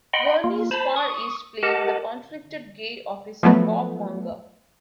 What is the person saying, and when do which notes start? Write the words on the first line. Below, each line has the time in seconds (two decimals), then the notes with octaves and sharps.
Gurney's "Far East", playing the conflicted gay officer Bob Munger.
0.13 D#5 F#5 G5 B5 C6
0.44 A#3 F4
0.71 C5 A5 B5
0.96 C#6 D#6
1.63 G4 A#4 D#5 F#5 A5
3.43 F3 F#3 A3 B3